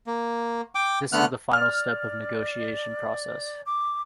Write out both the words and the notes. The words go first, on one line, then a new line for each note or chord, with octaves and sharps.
This is the final step of negotiation process.
A#3
G5 D6
D3 A3 B3 F6 F#6
D5 F6
D6